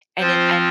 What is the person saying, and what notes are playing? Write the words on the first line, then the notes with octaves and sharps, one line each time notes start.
and it and
F3 C4 F4 C5